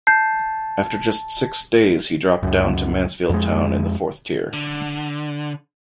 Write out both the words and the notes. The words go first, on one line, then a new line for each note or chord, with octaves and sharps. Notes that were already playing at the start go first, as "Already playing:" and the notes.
After just six days he dropped down to Mansfield Town in the fourth tier.
A5 G6 C7
C#2 F#2
F2 G#3
D3